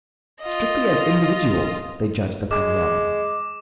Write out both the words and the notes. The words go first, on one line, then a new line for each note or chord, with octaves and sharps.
Strictly as individuals they judge the panorama.
F4 D#5
G#3 D6